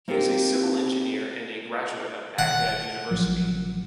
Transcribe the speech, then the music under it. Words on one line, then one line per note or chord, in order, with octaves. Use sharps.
He is a Civil Engineer and a graduate of Baghdad University.
A#3 C4 D#4 F4 G4 A#4
F#5
A1 F3 F#3